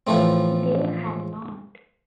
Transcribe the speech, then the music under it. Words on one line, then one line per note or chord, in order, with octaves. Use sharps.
They had not.
A2 E3 F3 A3 C4